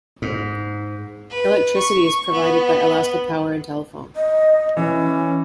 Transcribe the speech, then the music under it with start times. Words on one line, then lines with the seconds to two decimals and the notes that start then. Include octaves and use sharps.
Electricity is provided by Alaska Power and Telephone.
0.22 G#2
1.30 B4
1.76 C#6
2.32 B3
4.16 D#5
4.77 E3 C#4